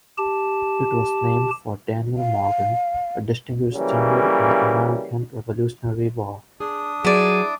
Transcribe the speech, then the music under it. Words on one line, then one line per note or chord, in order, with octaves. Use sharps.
It was named for Daniel Morgan, a distinguished general in the American Revolutionary War.
G4 A5
F5
C#3 E3 F#3 G3 A#3
D4 G#4 D#6
F#3 E4 G#4 D5